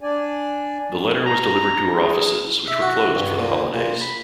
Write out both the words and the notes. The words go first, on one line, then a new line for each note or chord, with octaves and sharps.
The letter was delivered to her offices, which were closed for the holidays.
D4 D5 G#5
A#5
G#4
E5
F#4
G2
A#2
A#2
B5